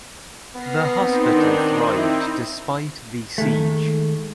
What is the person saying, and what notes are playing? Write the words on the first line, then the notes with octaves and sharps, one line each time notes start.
The hospital thrived despite the siege.
B3 F6 A#6 C7
C4 D#4
D#3 D4
E4
D#3 G#3 A3